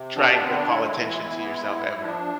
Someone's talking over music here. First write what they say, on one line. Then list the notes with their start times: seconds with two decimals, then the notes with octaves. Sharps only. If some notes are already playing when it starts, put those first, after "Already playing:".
trying to call attention to yourself ever?
Already playing: C3
0.16 B3 D4
0.42 D3 C4
0.56 D4
0.69 G#3 E4
0.82 E4
0.96 E3
1.23 B3
1.49 G#3
1.76 G#2
2.03 F3 D4